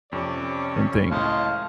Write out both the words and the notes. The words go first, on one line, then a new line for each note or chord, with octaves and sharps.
and think
F2 C3 C#4 D5
C#2 A2 D#5 F5 A5 C6